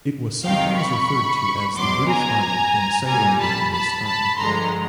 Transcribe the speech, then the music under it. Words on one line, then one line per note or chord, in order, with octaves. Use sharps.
It was sometimes referred to as the British Army in Ceylon during this time.
F2 C3 D#3 F5 G5
B5 C#6
E2 B2 F#3 C6 D6
G#5 A#5
A#2 G3 G#5 A#5
A5 B5
A5 B5
A5 B5
G2 D3 F3 G#3 A#5 C6